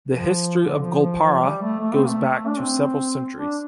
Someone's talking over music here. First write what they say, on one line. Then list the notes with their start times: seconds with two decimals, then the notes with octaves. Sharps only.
The history of Goalpara goes back to several centuries.
0.11 F3
0.63 D3
0.82 F3
1.03 F3
1.22 F3
1.41 G3
1.62 A3
1.80 A3
1.94 C4
2.07 A3
2.47 D4
2.59 C4
3.38 D4